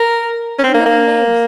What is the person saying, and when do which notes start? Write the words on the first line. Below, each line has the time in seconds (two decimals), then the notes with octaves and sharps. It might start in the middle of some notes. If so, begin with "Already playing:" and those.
And the legs!...
Already playing: A#4
0.59 C#4
0.64 C4
0.74 A#3
0.86 A#3